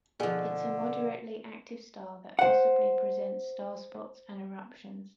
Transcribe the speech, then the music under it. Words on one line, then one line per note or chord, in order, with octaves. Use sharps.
It’s a moderately active star that possibly presents star spots and eruptions.
B2 D3 F3 G#4
C5 F#5